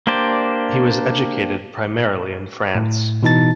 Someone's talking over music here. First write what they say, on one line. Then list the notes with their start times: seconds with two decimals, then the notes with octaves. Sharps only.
He was educated primarily in France.
0.07 A#3 D4 G4 C5 D5
2.75 A2
3.23 B2 E3 D#4 A5 A6